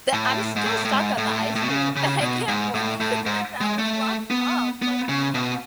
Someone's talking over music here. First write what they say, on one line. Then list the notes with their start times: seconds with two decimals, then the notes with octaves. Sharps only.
The I'm still stuck on the ice cream. I can't believe that that was locked up, like, what?
0.13 A2
0.56 G#2
0.65 A2
0.85 A2
0.91 G#2
1.18 A2
1.55 A2
1.62 B2
1.69 C#3
1.96 C#3
2.21 B2
2.48 G#2
2.74 A2
3.00 A2
3.26 G#2
3.61 G#3
3.79 A3
4.31 B3
4.82 B3
5.09 C#3
5.35 B2